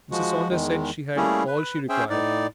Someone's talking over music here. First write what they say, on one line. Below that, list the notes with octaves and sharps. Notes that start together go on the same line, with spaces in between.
Mrs. Saunders said she had all she required.
F3 G#3 F#4
E2 D#3 G#3
G3 A3 A#3 C#4 E4 G#4
B4
C#4 G#4 C5 E5 G5
A2 D#4 D5